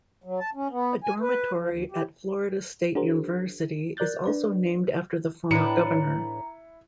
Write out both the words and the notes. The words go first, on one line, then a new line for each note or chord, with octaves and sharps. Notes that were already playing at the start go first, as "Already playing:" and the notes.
A dormitory at Florida State University is also named after the former governor.
F#3
A5
C#4
B3
G#5
B4
F3
D#2
G4
D4 F#4 G#4 A#4 C5
A#4 D5 F#6 G6 A6
D4 B4 D5
A2 E3 D4 E4 B4 A#5 C#7